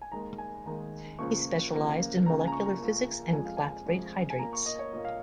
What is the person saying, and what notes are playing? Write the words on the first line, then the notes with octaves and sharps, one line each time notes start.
He specialized in molecular physics and clathrate hydrates.
G#5
D#2 D#3 G#3 A#5
G#5
D#2 D#3 G#3 A#5
C#2 C#3 F3 A#3 C#6
C#2 C#3 F3 A#3
C#2 C#3 A#3 A#5
G#5
A#5
C#6
A#5
C#2 C#3 A#3
F2 F3 G#3 G#5
F5
G#5
F2 F3 G#3
G#5
A#2 A#3 A#5
C#6
D#5
C#5
A#2 A#3 D#5
F5